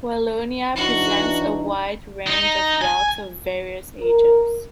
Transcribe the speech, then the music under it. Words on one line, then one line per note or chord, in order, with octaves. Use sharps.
Wallonia presents a wide range of rocks of various ages.
E3 D4 D#4 F#4
D#4
G#5
A#4